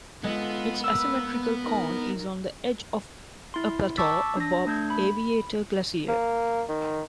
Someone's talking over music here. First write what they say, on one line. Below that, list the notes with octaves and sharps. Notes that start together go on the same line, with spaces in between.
Its asymmetrical cone is on the edge of a plateau above Aviator Glacier.
G#3 B3 F4 A4
A#3 B4 E6
D#4 A#4
E4 C6
A5 C#6 D6 E6 A6 B6
D4 A#6
A3 D4 G6 G#6
B5
A#3
D#3